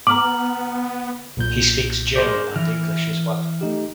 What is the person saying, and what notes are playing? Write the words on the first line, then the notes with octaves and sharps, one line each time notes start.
He speaks German and English as well.
B3 A#5 D6 F6 F#7
B1 A#2 G6
G#4 A#4 C5 D5 G6
E3 F6
A3 D#4 G4